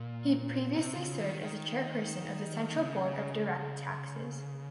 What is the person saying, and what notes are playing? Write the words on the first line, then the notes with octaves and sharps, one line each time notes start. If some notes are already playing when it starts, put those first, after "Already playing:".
He previously served as the Chairperson of the Central Board of Direct Taxes.
Already playing: A#2
C3
C#3
D#3
D#3
C#3